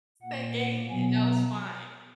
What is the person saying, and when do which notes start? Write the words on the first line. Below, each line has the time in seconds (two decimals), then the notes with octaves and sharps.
That game, and that was fine.
0.22 A#2 A#3 F#5
0.56 F#5
0.89 B2 F#3 B3 G#5
1.23 A#5